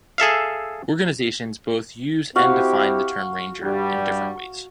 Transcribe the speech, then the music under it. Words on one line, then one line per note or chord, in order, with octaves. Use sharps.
Organizations both use and define the term "Ranger" in different ways.
G#4 A4 E5 F5
C4 E4 F#4 G4 F5
G2 G3